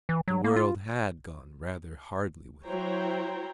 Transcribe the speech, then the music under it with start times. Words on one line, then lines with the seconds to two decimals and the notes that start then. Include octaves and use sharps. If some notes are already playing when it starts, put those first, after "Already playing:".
The world had gone rather hardly with her.
0.09 E3
0.28 F#3
0.44 A#3
0.56 F4
2.64 F#3 E4 C5 C#5 G5 A#5